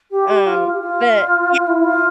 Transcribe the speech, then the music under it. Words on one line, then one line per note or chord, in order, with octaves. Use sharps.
Um, but, yeah.
G4
G4
F4
G4
F4
E4
F4